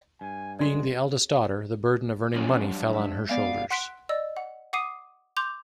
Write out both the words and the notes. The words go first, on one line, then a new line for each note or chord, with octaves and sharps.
Being the eldest daughter, the burden of earning money fell on her shoulders.
G2 G#5
F#2 G#3 D5 C6
B1 C#3 F3 F#3
G2
G#3 E5
B3 D5 F5 G#5
F#5 C6 F#6 B6 D7
D5 D#5 E6
F#5
F#5 D6 D#6 C7 D#7
C6 D6 G6 F7